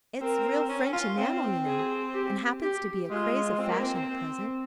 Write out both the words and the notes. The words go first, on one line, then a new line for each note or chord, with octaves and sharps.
It's real French enamel, you know, and happens to be a craze of fashion at present.
C4 A#4
C#4
F4
C4
G#4
G4
G4
G#3 F4
C4
A#3
C4